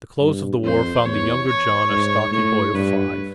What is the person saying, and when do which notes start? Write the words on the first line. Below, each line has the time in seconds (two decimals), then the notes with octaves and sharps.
The close of the War found the younger John a stocky boy of five.
0.22 G2
0.64 F2 C5
1.05 E2 C#5
1.47 C#5
1.90 G#2
2.32 A2 C#5
2.74 G2 B4